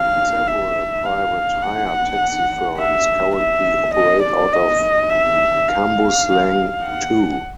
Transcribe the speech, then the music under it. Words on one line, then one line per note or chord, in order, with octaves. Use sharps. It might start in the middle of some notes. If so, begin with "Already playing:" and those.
Several private hire taxi firms currently operate out of Cambuslang too.
Already playing: F5
E5
F5
F#5
E5
E5
D#5
D5
D#5
E5
F5
F#5